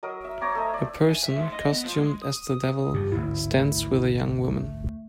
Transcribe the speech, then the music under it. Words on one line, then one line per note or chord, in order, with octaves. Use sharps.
A person, costumed as the devil, stands with a young woman.
F#3 A#4 D#5
E5
C5 C#5 A#5 D6
A3 D#5
D5
G#5
E5
G#2
D#5
B3
F3
G#3
D#6
G2 C#3 F3 G4
A1 D2 G#2 E4
A3